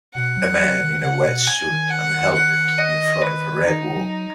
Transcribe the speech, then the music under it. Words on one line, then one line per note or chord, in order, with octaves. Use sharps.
A man in a wetsuit and helmet in front of a red wall.
B2 F#5
F#3
F#3
D#3
C#3 F#5
B2
G#5
D#3
F#5
F#5
D#5
B4
D#3 D#4
F#3